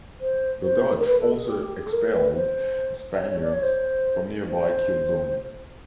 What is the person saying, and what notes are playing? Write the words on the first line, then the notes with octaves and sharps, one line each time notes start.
The Dutch also expelled the Spaniards from nearby Keelung.
C5
C5
A#4
B4
A4
G#4
G4
G#4
G4
G#4
A4
A#4
B4
C5
C#5
C#5
D5
C#5
C5
C5